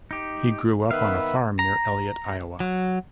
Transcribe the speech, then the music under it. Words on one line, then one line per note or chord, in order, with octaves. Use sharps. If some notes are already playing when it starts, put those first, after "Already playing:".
He grew up on a farm near Elliott, Iowa.
D#4 G4
D#3 B3 B4 E5 F5
A#5
F#3